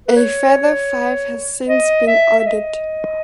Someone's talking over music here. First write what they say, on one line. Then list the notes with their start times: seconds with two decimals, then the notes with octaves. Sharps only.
A further five has since been ordered.
0.08 B4
0.16 C#5
1.69 D#5
2.07 E5
2.39 E5
2.46 D#5